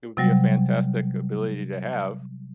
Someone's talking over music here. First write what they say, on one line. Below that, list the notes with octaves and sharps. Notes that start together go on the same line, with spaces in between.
It would be a fantastic ability to have.
C3 F#3 G3